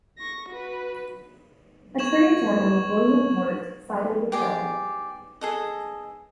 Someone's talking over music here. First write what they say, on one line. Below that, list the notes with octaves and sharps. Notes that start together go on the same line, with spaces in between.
Attorney General William Wirt sided with Delaware.
C#6 A#6
F#4 B4
C#6 G#6 E7 F#7
G4 G#4 D5
G#4 A4 D#5